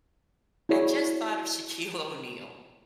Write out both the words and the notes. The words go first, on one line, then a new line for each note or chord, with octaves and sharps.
I just thought of Shaquille O'Neal.
E4 F#4 G#4 C#5 D5